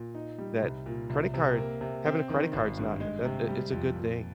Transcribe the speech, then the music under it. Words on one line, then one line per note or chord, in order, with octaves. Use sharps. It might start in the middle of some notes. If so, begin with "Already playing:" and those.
that credit card having a credit card's not uh, it it's a good thing,
Already playing: A#2
D#4
G3
C2
A#2
C2
C3
A#3
C3
C4
D#3
G#1
G2
G#3
C3
G3
F2
A#2